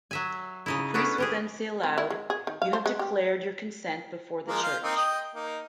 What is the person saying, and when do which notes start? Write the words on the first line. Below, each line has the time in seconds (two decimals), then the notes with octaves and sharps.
The priest will then say aloud You have declared your consent before the Church.
0.11 F#3 E5 G#5
0.66 C#3 D#4 E4
0.94 A3 B3 C#4 D4 F#4
1.18 C#4 G4 G#4
1.83 C4
1.98 E4
2.10 G#3
2.30 G#4
2.47 D#3
2.62 F5
2.73 C5
2.86 G#3
2.99 G4
4.48 F3 G#3 A#3
4.63 F4 C5 F5
4.83 A#3 C4 D#4
4.97 D#5 G5
5.35 A#3 D#4